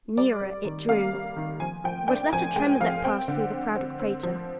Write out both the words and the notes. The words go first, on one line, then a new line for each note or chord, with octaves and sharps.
Nearer it drew. Was that a tremor that passed through the crowded crater?
G3 D5
G3
D#3
A#3 F5
G3
D#3
F3 G#5
F3 G5
D4 G5
F3 G#5
G#3 G5
F3 F5
C4 G5
D3
C4
C4
C4
F3